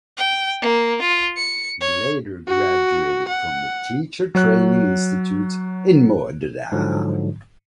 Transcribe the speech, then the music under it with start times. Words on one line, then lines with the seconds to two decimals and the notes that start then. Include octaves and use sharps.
He later graduated from the teacher training institute in Modra.
0.17 G5
0.62 A#3
1.02 F4
1.37 C#7
1.81 C#5
2.48 F#4
3.28 F#5
4.35 F#3 C#5 F#6
6.72 G#2 D3 F3 F#3